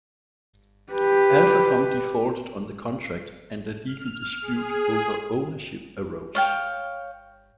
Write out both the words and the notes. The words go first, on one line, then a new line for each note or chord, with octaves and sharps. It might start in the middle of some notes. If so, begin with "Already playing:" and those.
AlphaCom defaulted on the contract and a legal dispute over ownership arose.
G4 B4
F6
G#4
C#5 F5 G5